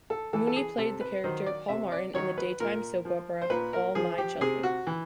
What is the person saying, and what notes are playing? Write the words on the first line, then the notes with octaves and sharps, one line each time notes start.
Mooney played the character Paul Martin in the daytime soap opera "All My Children".
A4
E3 A4
A4
G#4
C3 A4
B4
D#3 F#3 C5
D5
C3 E5
D5
D#3 F#3 C#5
B4
A#2 A#4
F3
C5
A#2 B4
A#4
F3 G#4
G4
C3 G#4
F#4
E3